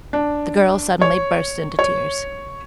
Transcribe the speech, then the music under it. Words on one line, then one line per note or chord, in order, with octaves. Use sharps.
The girl suddenly burst into tears.
D4
C#5
C#5